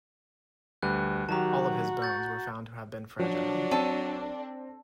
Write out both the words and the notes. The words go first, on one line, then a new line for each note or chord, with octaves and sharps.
All of his bones were found to have been fragile.
D2 G3 B4 F#6
D#3 F#3 F#4 G4 A5 A#5
C#6 G6 A6
F3 F#3 D4
C4 A4 D#7